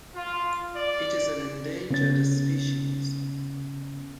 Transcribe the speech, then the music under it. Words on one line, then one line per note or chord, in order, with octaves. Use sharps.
It is an endangered species.
F4
D5
C#3 B3 C#4 A6